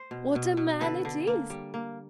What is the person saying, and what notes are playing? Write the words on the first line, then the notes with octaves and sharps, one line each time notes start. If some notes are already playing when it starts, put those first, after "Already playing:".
What a man it is!
Already playing: C5
B2
B2
B2
D3 A4 B4
D3
A#3
G3
A#3